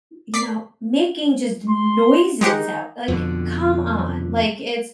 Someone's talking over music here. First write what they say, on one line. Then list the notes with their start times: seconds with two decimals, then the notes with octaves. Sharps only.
m you know, making just noises out like, come on, like, it's
0.34 D5 B6 C7
1.68 C6
2.41 G#3 D#4 G4 F#5
3.08 F2 B2 D3